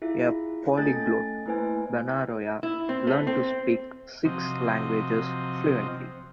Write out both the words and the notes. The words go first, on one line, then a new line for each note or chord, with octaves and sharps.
A polyglot, Benaroya learned to speak six languages fluently.
E4 F4 G#4 E5
A3 C#4 A4 G#5 A6
A3 A#3 E4 B4 C5 G#5
E4
C4
A3
C4
C3 F3 F#3 C4 D#5